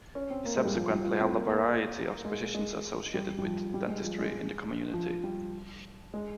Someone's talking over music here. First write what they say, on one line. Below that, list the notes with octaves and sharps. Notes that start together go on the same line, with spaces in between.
He subsequently held a variety of positions associated with dentistry in the community.
C#4
C4
A#3
G#3
G3
F3
G3
F4
C4
A#3
A#3
G#3
G#3
G3
G3
F3
G3
G#3
F3
G#3
F3
G3
G#3